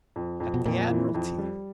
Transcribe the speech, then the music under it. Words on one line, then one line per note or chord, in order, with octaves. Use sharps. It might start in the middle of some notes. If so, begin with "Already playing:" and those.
"At the Admiralty."
F2
F2
B2
F2 A#2
E3
F2
G3